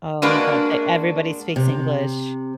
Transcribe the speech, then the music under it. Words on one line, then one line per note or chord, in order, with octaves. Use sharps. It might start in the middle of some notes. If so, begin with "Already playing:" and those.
Oh my god. Th everybody speaks English.
G#3 A#3 D4 F#4 B4
C3